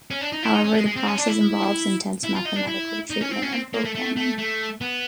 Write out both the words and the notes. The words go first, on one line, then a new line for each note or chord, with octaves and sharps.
However, the process involves intense mathematical treatment and programming.
C#4
D4
D#4
E4
D#4
C#4
G#3
G#3
C4
C#4
D4
E4
E4
F4
D#4
D4
E4
D#4
C#4
C4
C#4
C4
A#3
A3
A3
A3
A3
B3